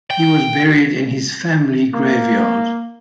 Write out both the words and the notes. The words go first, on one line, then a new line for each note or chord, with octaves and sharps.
He was buried in his family graveyard.
G5
A#3